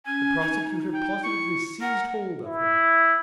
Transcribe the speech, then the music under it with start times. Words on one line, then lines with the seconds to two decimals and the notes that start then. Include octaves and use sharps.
The prosecutor positively seized hold of him.
0.06 C#4 G#5
0.42 D#4
0.94 G5
1.23 E4 C#6
1.81 A#4 F#5
2.45 E4